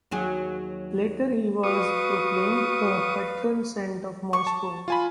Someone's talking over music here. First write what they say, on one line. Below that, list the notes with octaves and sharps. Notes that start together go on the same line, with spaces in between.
Later he was proclaimed a patron saint of Moscow.
D#2 F#3 G#4
F#4 B4 F5 C#6 D#6
C#6
A5
F4 G#5 B5